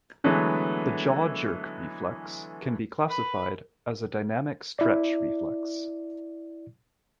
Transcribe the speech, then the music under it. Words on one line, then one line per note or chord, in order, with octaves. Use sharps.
The jaw jerk reflex can be classified as a dynamic stretch reflex.
D3 E3 F#3 G#3 A3 B3
B4
E4 D5